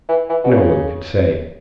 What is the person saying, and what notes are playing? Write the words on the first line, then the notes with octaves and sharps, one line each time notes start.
No one could say.
E3
E3
B2
C#3